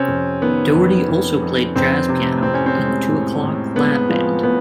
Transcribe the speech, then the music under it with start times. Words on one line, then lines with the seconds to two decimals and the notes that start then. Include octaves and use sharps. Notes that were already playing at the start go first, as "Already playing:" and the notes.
Daugherty also played jazz piano in the Two O'Clock Lab Band.
Already playing: C3 C4 C#4
0.08 F2
0.42 D#3 B3
0.75 F2
1.09 F2
1.42 F2
1.76 F2 C4
2.09 C3
2.42 A2 C4
2.54 C#4
2.66 C4
2.76 G#3
3.09 A2
3.43 A2
3.76 G#3 B3
4.09 F3
4.43 A2 B3